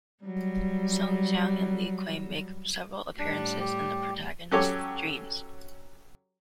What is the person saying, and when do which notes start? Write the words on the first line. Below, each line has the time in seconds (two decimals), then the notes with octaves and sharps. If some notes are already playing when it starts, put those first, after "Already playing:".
Song Jiang and Li Kui make several appearances in the protagonist's dreams.
0.23 F#3 G3
3.19 A2 G3 D4
3.60 G4
4.51 F#3 C#4 G4 A4 C#5 D6